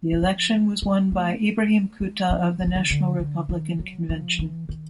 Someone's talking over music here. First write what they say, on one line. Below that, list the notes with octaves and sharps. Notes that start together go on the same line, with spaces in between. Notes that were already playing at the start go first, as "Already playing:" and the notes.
The election was won by Ibrahim Kuta of the National Republican Convention.
E3
F3
G3
A3
G#3
F3
D#3
E3
D#3
D3
D3
D#3
F#3
F3
E3
D#3